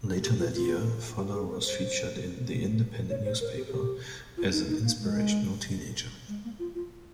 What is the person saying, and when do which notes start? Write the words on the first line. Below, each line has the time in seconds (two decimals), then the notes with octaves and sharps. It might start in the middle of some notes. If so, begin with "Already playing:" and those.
Later that year, Fuller was featured in "The Independent" newspaper as an "inspirational teenager".
0.23 G4
0.39 F4
0.54 F4
1.18 G4
1.35 G#4
1.51 A#4
1.61 A#4
1.66 C5
3.10 C#5
3.25 C5
3.41 A#4
3.57 G4
3.68 G#4
3.73 G4
4.37 F4
4.52 D#4
4.69 D#4
4.84 A#3
5.00 G#3
6.28 G#3
6.44 A#3
6.59 F4
6.75 F4